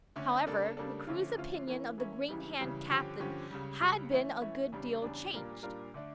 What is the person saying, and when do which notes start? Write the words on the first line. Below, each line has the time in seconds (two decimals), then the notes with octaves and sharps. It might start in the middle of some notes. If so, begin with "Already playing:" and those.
However, the crew's opinion of the green-hand captain had been a good deal changed.
0.16 D3 A3 C#4
0.47 C#3 G3 A#3 D4 A4
0.77 C#3 G3 A#3 D4 A4
1.07 D3 F3 A3 C#4 F4
1.37 D3 F3 A3 C#4 F4
1.67 E3 A#3 C#4 E4
1.98 E3 A#3 C#4 E4
2.28 C#2 C#3 E3 G3
2.59 C#2 C#3 E3 G3
2.89 G2 D3 F3 C#4 G4
3.20 G2 D3 F3 C#4 G4
3.50 C#2 C#3 G3
3.80 C#2 C#3 G3
4.11 E3 A3 C#4 E4
4.41 E3 A3 C#4 E4
4.72 E2 C#3 G3 D4
5.02 E2 C#3 G3 D4
5.33 A#2 G3 D4 F4 A#4
5.63 A#2 G3 D4 F4 A#4
5.94 D3 A3 D4